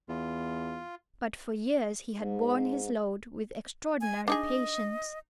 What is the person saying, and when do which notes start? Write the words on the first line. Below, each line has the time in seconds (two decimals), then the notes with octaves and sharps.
But for years he had borne his load with extraordinary patience.
0.09 E2 F4
2.15 G#2
4.01 G#5
4.28 D4 D#4 G#4 D#5